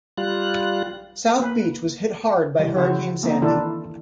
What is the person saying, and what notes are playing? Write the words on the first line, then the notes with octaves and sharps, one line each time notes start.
South Beach was hit hard by Hurricane Sandy.
G3 F4 F#6
A#3 B4
E3 G3
C#3 F3 E4 F#4 C5 C#5
A#3 C4 D#4
D#3 E3 D4 E4 F4 A4